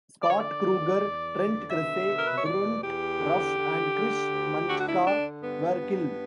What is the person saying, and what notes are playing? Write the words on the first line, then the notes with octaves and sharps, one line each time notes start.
Scott Kruger, Trent Kresse, Brent Ruff, and Chris Mantyka were killed.
D3 D5
C#5
D5
E2
E2
D3
B2 E5
B2
A#4
B4
C#5
E2 D5
E2 G4
D3
D3
D3
D2
D3 F#4
F#4
E4
D3 D4
G2 B3
G2